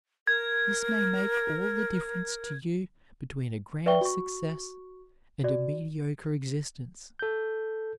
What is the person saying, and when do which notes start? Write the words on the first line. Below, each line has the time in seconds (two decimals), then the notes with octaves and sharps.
This may make all the difference to you between a grand success and a mediocre existence.
0.27 A#4 G#6
3.86 B4 D5 E5 G5 C#6 G7
4.01 F#4 C#6
5.44 F#4 D5
7.19 A4 G6